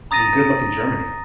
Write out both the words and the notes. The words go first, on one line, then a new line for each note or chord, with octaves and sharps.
And good luck in Germany.
A#5 D#6 A6 A#6 D#7